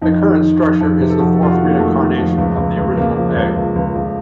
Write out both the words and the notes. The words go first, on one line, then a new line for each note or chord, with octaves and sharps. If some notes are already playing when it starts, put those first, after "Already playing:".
The current structure is the fourth reincarnation of the original egg.
F2 D#4
D#3
D#3
F2
F2
C3
A4
F2 F#4
A4
F2 F4
F#4
D#3 A#3
F2 A3
D#3
F2
C#2
C#2
C#2
C#2 A#3
F3
C#2
C#2
C#2
C#2